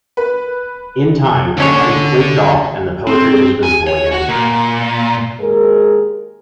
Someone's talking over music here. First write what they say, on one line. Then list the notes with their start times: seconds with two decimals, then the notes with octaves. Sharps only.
In time, the putty flaked off and the poetry was visible again.
0.17 B4
1.58 D#2 D3 C#4 A4 C#5
3.07 C4
3.63 G#5
3.87 C#5
4.12 F#4
4.28 A#2
5.40 D#2 G#3 G#4 A#4